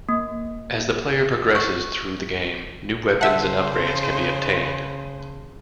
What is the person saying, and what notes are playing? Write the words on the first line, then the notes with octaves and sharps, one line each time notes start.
As the player progresses through the game new weapons and upgrades can be obtained.
A#3
C#6
C#3 C5 E5 F#5 A5